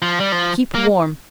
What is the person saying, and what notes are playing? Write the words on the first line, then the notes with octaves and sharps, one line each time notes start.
Keep warm.
F3
G3
F3
A#3